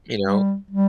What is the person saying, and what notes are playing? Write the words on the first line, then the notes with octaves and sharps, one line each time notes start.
you know?
G3
G3